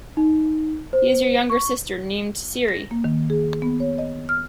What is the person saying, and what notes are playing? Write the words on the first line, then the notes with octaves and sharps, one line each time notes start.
He has a younger sister named Ciri.
D#4
C5
C#6
A#6
A#3
D#3
G#4
B3
C#5
D#5
F6